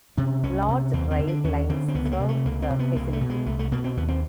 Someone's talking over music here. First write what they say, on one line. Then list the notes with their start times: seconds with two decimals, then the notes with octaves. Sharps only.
Large rail lines serve the facility.
0.17 C3 C#4
0.43 C2 C#4
0.68 C3
0.93 D#2 C4
1.11 C4
1.19 D3
1.27 D4
1.44 D#2 C#4
1.69 D3 C4
1.88 C4
1.95 C#2 B3
2.05 A3
2.12 A#3
2.20 C3
2.29 A3
2.45 C#2 A#3
2.62 C4
2.70 C3
2.79 B3
2.96 C2 A#3
3.13 A3
3.21 B2
3.30 G#3
3.46 C2 A3
3.59 A3
3.72 B2 A#3
3.84 C4
3.97 D#2 B3
4.08 C4